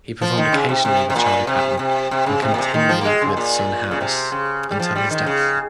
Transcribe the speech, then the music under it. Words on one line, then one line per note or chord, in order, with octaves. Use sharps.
He performed occasionally with Charley Patton and continually with Son House until his death.
F3
D#3
C#3
C3
C3
C3
A#2
C3
C3
C3
C#3
C3
A#2
C3
D#3
F3
A#3
G#3
C#3
A#2
C#3
C3
C#3
G3
F3
G3
D#3
C#3